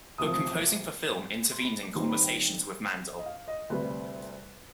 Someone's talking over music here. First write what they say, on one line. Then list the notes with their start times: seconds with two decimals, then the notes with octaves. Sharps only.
But composing for film intervened in conversations with Mandel.
0.18 D2 C3 F3 C4 D#6
0.32 D#6
0.47 D6
1.51 C6
1.61 B5
1.83 D6
1.94 G2 D#3 G3 C4 D#4 C6
2.09 B5
2.24 G5
3.18 D#5
3.26 F5
3.48 D#5
3.70 D2 C3 G3 B4